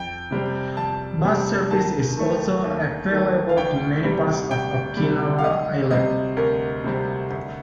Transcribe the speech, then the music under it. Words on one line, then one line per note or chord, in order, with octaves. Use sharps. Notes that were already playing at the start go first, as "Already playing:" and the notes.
Bus service is also available to many parts of Okinawa Island.
Already playing: F2 G5
C3 G3 C4
F2 A5
C3 G3 C4
D#2 A5
D#3 A3
D#2
D#3 A3
F5
D2 G5
C3 G3
D2 G5
C3 G3
F5
D2 D#5
C3 G3 C4 D#5
D2 A#4
C3 G3 C4
D2